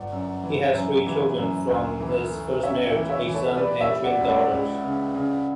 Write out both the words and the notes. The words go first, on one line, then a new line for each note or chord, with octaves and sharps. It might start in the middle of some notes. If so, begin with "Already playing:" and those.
He has three children from his first marriage-a son and twin daughters.
Already playing: G1 D5 F#5
F#2
E3
F#2
E3
F#2
D2
E3
A3
C#3 C#5 E5
E5 G5
E3
C#5 E5
E3
A4 C#5
G3 B4 D5
C#5 E5
G3
D5 F#5
C#2
D5 F#5
C#2
C#3
C#3